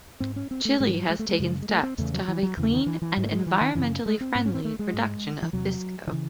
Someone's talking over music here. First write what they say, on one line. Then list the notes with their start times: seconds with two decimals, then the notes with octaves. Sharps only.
Chile has taken steps to have a clean and environmentally friendly production of pisco.
0.20 G#2 C4
0.36 C#4
0.51 C4
0.65 A3
0.80 G#2 G#3
0.88 E3
0.95 F#3
1.10 G#3
1.19 A3
1.29 G#3
1.39 F#2 C#3
1.62 G#3
1.69 A3
1.83 C4
1.98 E2 C#3 A3
2.14 F#3
2.28 E3
2.43 F#3
2.57 E2 C#3 E3
2.72 D#3
2.86 E3
3.02 E3
3.17 G#2
3.26 A3
3.31 G#3
3.46 E3
3.61 D#3
3.75 F#2 C#3 E3
4.06 G#3
4.21 C4
4.35 G#2 C4
4.45 C#4
4.54 C4
4.65 A3
4.79 G#3
4.94 G#2
5.42 E3
5.53 E2 C3 F#3
6.07 D#3
6.12 C#3 E3